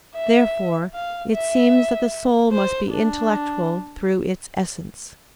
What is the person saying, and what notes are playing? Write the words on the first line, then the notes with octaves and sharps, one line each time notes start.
Therefore it seems that the soul must be intellectual through its essence.
E5
F5
E5
C5
D4